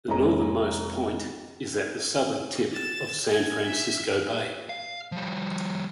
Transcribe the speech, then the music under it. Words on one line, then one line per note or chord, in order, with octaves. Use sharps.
The northernmost point is at the southern tip of San Francisco Bay.
F1 G#3 A#3 C#4 D#5 A#5
A6 E7
G#5 G#6
E5
F5
F3 G3